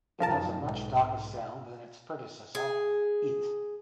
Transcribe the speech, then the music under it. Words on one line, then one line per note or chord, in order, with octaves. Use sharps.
It has a much darker sound than its predecessor, "It".
F#2 D#3 F3 A#4 A5
B1 G#2
G#4